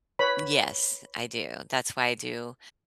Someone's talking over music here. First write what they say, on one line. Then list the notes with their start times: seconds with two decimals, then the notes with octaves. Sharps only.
Yes. I do. That's why I do,
0.19 B4 C#5 B5